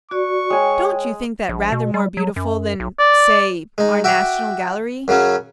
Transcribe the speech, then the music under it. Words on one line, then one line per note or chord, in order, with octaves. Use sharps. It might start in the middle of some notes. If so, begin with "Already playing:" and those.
"Don't you think that rather more beautiful than--say--our National Gallery?"
F#4 D5 C#6
G#3 C#5 G5 G#5
A#1
B2
G3
F#3
F#2
B1
D5
G#3 D#4
F#4 E5 G5 D6
F#2 C#3 F#3 C#4